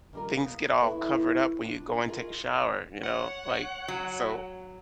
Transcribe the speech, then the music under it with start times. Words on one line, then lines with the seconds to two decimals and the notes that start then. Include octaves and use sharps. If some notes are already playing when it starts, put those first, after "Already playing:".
things get all covered up when you go and take a shower, you know, like, so,
0.13 D#3 F3 G3 F4 A#4
0.34 B3 D#5 F5
0.81 E4 F#4 G#4 A4 B4 E5
1.61 D4 F4
2.08 F4 F#4 G#4 A#4 D#5
3.03 C#5 F#5
3.88 F#3